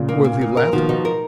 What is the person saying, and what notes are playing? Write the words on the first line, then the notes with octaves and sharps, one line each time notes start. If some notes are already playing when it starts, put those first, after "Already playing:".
Will he laugh?
Already playing: A#2 C#3
A#3
A#3
A#3
A#4
B2 D#3 F3
B2 D#4
A#4